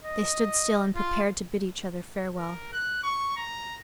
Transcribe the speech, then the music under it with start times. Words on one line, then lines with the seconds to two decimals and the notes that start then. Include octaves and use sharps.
They stood still and prepared to bid each other farewell.
0.04 D#5
0.95 F4
2.37 A#4
2.73 F#6
3.03 C#6
3.37 A#5